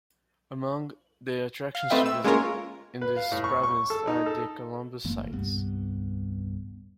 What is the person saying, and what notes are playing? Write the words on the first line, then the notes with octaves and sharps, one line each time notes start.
Among the attractions to visit in this province are the Columbus sites.
F5
A3 C4 B4 D#5 E5 G5
E6
G#3 A#3 C#4 F4 A#4 C#5
B4
F5
A2
C#6
C#6
A4
D#4
A4
F#1 E3 A3 A#3
D#1 C2 G2 B3